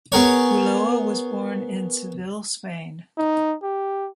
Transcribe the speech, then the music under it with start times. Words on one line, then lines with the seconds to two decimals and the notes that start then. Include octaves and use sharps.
Ulloa was born in Seville, Spain.
0.12 B3 G#4 A#4 C#5
3.18 D#4
3.63 G4